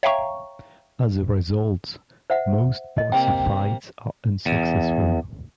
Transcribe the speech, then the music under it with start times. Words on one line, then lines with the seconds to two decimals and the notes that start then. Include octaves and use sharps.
As a result, most proxy fights are unsuccessful.
0.03 C#5 E5 F5 G5 A#5 C#6
2.30 C5 E5 F#5
2.98 D#5
3.12 C3 A#3 C4 G5
4.46 E2